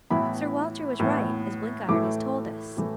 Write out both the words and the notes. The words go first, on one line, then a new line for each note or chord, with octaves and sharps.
'Sir Walter was right, as Blenkiron has told us.
A2 E3 B3 E4 B5
A2 E3 B3 E4
A2 E3 A3 E4 D6
A2 E3 A3 E4